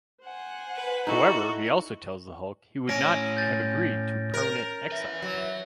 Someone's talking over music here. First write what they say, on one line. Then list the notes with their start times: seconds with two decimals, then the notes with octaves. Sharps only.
However, he also tells the Hulk he would not have agreed to permanent exile.
0.23 C5 F#5 G#5
0.76 B4
1.07 D#4 E4 F#4 A4
2.89 A2 C#4 G#5 A#6 D7
3.37 G6 A6
4.34 A#4
4.91 B4 E5
5.22 F#3